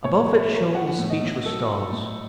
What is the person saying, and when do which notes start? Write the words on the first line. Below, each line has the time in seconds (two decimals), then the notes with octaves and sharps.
Above it shone the speechless stars.
0.04 A2 C#5
0.28 A2
0.39 E5
0.52 F#3
0.75 F#3 F#5
0.99 A2
1.10 D#5
1.22 A2
1.46 F#3 A4
1.70 F#3
1.93 A2